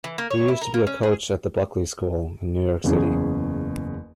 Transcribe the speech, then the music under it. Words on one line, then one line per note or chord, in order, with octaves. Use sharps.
He used to be a coach at the Buckley School in New York City.
E3
A#3
C#5
E4
A#4
A#3
C#4
G#4
F#1 E2 C#4 G#4